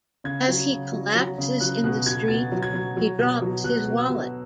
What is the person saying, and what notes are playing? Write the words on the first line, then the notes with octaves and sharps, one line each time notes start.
As he collapses in the street, he drops his wallet.
C#3 G#6
F#3
C#3
F#3
F#3
C#3
F#3 F#6
B2 F#6
B2 G#6
B2 A6
F#3
G#6
F#3
F#3
B2
F#3
B2 F#6
B2
E6
B2